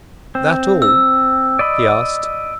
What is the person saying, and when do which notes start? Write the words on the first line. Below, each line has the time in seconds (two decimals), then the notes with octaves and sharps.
"That all?" he asked.
0.35 C4
0.82 E6
1.59 D5 D#5 B5